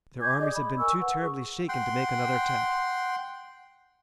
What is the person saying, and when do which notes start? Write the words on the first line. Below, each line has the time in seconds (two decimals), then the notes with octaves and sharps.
Their armies had been too terribly shaken to make another attack.
0.21 G#5 D6 G6 G#6
0.39 G#4 D5 D#5 D6
0.55 B5
0.78 A#4 G#5 C#6 E6
0.99 B4 F#5
1.21 G#4 C#6
1.69 F#5 G5 C6